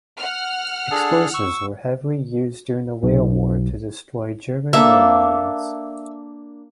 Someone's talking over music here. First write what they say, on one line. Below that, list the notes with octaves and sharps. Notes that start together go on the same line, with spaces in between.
Explosives were heavily used during the rail war to destroy German rail lines.
F#5 F6
D4 G#4 A4
C#6 E6
B1
A#3 D4 A4 E5